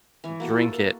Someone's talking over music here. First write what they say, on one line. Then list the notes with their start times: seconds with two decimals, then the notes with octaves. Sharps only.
drink it,
0.24 E3 C#5
0.40 A#3 F#4 A4
0.53 E4
0.72 A#4